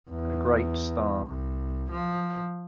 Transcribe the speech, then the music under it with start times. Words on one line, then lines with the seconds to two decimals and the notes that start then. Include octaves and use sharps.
A great star.
0.10 E2
1.28 C2
1.91 F3